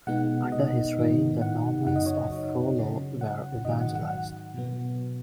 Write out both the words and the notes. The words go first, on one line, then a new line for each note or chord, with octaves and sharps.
Under his reign the Normans of Rollo were evangelized.
B2 G#3 B3 D#4 F#5
D#5
G#2 D#3 B3 D#4
F#5
F#2 C#3 F#3 D#4 F#5
D#5
C#5
D#5
C#3 F#3 C#4
F#5
G#2 D#3 F#3 D#5
F#5
F#5
F#5
B2 F#3 B3